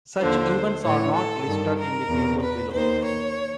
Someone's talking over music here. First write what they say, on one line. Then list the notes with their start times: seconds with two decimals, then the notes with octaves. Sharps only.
Such events are not listed in the table below.
0.19 D#2 D3 F3 C5
0.82 A2 E3 C#5
1.15 A4
1.46 G2 D#3
1.78 A#4
2.09 E2 B2
2.42 B4
2.73 D#2 D#3 C5
3.04 C#5